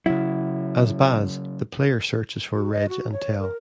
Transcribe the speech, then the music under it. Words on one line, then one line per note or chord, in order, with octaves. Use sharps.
As Baz, the player searches for Reg and Tel.
C#3 F#3 E4
F#4
D#5
F#4
C#5
A#4